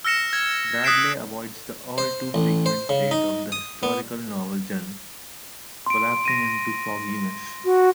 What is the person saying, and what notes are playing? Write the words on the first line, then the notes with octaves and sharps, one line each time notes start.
Bradley avoids the all-too-frequent fate of the historical-novel genre: collapsing into a soggy mess.
E6 F6 A#6 C#7 E7
G#6
D#6 F#6 B6 C7 D7 E7
C5
A1
C5
C#3
D#4
D#6
B3
C6 D7
A#6 D#7
F#4